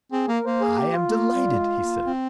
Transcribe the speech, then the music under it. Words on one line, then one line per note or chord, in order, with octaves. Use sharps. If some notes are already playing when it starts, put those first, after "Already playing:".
'I am delighted,' he said.
C4 G#4
A#3 A#4
A#3 C5
G#4
G4
F4
A#3
G3
G3
G#3
A#3
C4